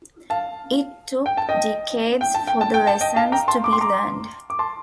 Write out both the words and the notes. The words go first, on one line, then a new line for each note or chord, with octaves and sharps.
It took decades for the lessons to be learned.
F5 A5
G5
A5
D#5 G5
G5
A5
G5
A5
G5
A5
D#5 G5
F5 A5
G5 A#5
A5 C6
D6
C6
A#5 D6
D6
A5 C6